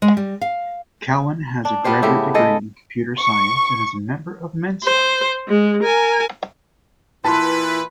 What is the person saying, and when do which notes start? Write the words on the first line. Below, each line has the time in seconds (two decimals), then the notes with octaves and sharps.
Cowan has a graduate degree in computer science and is a member of Mensa.
0.02 G#3
0.17 G3
0.41 F5
1.65 D4
1.84 B3 F4 G4 C5
2.02 A2 C#3 G4 E5
2.34 G#3 A4 D#5
3.20 C#6
4.84 C5
5.48 G#3
5.83 A#4 G#5
7.24 A#2 E3 E4 B4 A5 B5 C6